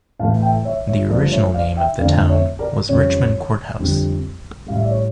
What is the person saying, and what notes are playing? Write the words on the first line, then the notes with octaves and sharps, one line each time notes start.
The original name of the town was Richmond Courthouse.
A2 E3 A3 F5 A5
E5 G5
C#5 E5
C#5 E5
G2 F3 A3 A#4 D5
C#5 E5
D5 F5
E5 G5
F2 D3 A3 D5 F5
C#5 E5
A#4 D5
F2 C#3 G3 C#5
F2 D3 G3
A2 G3 F5
E5
D5
C#5